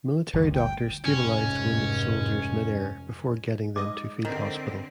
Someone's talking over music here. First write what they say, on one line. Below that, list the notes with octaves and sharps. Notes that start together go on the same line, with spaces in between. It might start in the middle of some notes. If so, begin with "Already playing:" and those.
Military doctors stabilized wounded soldiers midair, before getting them to field hospital.
G1 D2 G2
G5
F1 G#2 C#4
G#2 D#5 D6
D3 D#3 C4